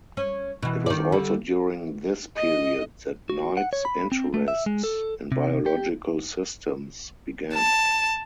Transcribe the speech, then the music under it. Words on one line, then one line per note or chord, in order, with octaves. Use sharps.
It was also during this period that Knight's interests in biological systems began.
C#4
B2 E3
D#3 D5
D3 G3
D#5
F#4
F#5
C#5
B5
C4
A3
E5
G#3
A4
C3
G4
A5